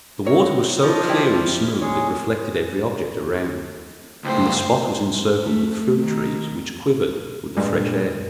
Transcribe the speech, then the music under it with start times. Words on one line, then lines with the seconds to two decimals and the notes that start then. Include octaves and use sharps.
The water was so clear and smooth it reflected every object around, and the spot was encircled with fruit-trees which quivered with the fresh air.
0.25 C4 A#4 C#5
0.83 F3 D4 D#5
1.08 E4 G4 D5
1.49 F6
1.81 G#3 G#4 C#5
4.24 C#2 A2 C5 G5
5.44 A3
5.99 D#3
7.57 G2 A#2 G3 G#3